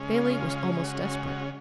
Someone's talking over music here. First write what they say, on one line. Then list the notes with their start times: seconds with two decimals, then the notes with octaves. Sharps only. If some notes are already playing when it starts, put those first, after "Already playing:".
Bailey was almost desperate.
Already playing: C#3 G#3 C#4
0.14 F4
0.83 F#4
1.05 F#4
1.27 F#4